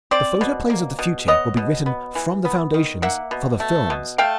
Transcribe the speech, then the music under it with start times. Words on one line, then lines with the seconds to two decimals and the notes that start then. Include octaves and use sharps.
The photoplays of the future will be written from the foundations for the films.
0.11 C4 C5 D5
0.41 B2
0.70 A#3
0.99 B2
1.28 B3 C#5 D#5
1.57 B2
1.86 B3
2.15 E3
2.45 B3
2.74 D#3
3.02 A#3 E5 F#5
3.31 B2
3.60 A3
3.90 B2
4.18 A3 F5 G5